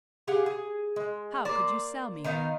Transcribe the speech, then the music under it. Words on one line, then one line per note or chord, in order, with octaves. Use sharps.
How could you sell me?
G4 G#4 F5 F#5
G#4
G#3
A#3 C5 D5
D#3 B3 D#4 F5